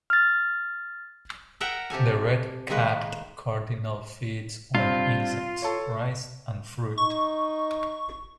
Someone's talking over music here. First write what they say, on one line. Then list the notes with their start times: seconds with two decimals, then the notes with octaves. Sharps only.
The red-capped cardinal feeds on insects, rice and fruit.
0.10 F6 A6
1.60 A#4 E5 F#5 G5 A#5
1.90 C3 G4 A4 G#5
2.69 D#3 G#3 A#3 B4
4.75 G2 C4 F4
5.62 A4 C#5
6.98 D#4 C#6